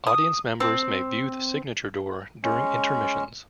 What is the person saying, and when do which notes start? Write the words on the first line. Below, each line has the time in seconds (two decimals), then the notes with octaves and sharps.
Audience members may view the signature door during intermissions.
0.07 D#6
0.60 C4
2.44 G#3 C#4